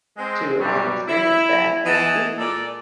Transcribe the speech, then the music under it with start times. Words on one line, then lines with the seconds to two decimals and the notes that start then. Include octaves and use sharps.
to, um, experience that, and I think
0.17 G#3 C4
0.60 G2 B2 F#3 G3
1.08 E4
1.85 E3 B3 G#4 D#5 G#5 A5
2.38 A#2 G#3 A4 D5